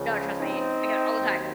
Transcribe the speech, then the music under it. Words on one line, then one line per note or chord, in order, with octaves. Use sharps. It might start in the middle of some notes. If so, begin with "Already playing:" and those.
No, trust me, I get it all the time,
Already playing: C#2 C#3 F3
C4 D#4
D#2 D#3 F#3